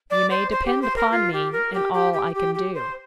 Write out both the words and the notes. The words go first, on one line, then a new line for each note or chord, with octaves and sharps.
You may depend upon me, and all I can do.
D5
C5
C5
G4
C5
A#4
F4
G4
A#4
G4
G4
G4
G4
G4
C5